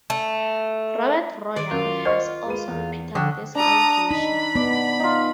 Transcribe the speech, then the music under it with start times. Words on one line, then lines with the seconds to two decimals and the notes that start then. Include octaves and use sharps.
Robert Royal has also repeated this allegation.
0.10 A3
1.56 D#3 D5
1.71 F#2 F4 A#4
2.05 C5 D#5 F#5 C#6 F6
2.46 G#3 B4 D#7
2.68 E2 G#4
3.15 D3 F3 G5 C#6 D#6
3.55 D4 A4 A#5 D#6
4.11 D#4 B5
4.55 B3 D5
4.99 D#4 F4